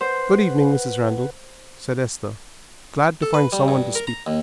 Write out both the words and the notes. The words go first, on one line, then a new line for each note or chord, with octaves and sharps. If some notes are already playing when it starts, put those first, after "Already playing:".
"Good evening, Mrs. Randal," said Esther, glad to find someone to speak to.
B4 C5 F#5
A4
B4
G3
G2
A#4
A#5
D#2